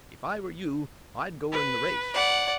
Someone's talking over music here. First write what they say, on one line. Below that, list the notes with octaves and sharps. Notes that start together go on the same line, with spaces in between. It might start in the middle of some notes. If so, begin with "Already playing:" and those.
If I were you I'd go in the race.
B4
D5 F#5